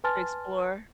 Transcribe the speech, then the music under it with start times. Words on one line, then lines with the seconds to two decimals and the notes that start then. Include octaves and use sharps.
To explore?
0.04 B4 G#5 A5 C6 F6 A6